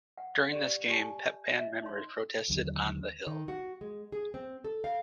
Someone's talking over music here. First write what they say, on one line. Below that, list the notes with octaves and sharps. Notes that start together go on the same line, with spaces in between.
During this game, Pep Band members protested on "The Hill".
F#5
G4 D5
G4 G#5 A5
D#5 E5
D#4 C#5 C6
D#2 D3 F#3 G3
D#3
F#4
G#3
G#4
C4
A4
F5